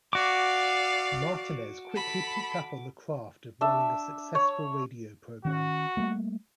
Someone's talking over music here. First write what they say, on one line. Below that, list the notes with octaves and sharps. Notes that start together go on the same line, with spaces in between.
Martinez quickly picked up on the craft of running a successful radio program.
F#4 D5 F5 D6
A4 B5
D4 E5
C#5
D#3 C#4 F#4
G3 A3 A#3